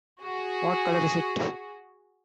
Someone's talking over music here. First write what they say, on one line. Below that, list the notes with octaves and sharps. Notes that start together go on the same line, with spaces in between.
What color is it?
F#4 G#4